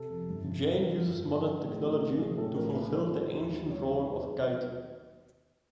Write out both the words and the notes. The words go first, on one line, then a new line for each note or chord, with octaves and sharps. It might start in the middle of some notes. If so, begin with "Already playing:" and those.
Jane uses modern technology to fulfill the ancient role of guide.
Already playing: C3 A4
F2
G1
D#3
C3
F2
G1
D#3
F#3 A4
A2
G#4
A1
G#4
A#3
F#3 G#4
A2 A4
A1 A#4
A#3 B4
G3 C5
D#3
D#2
D#2
G3 C#5
D#3
C#5
D#2 C#5
C5
D#2
F#3